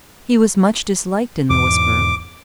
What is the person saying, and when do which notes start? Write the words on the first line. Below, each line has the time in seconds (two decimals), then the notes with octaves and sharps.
He was much disliked in Louisbourg.
1.50 E2 G#2 B2 D6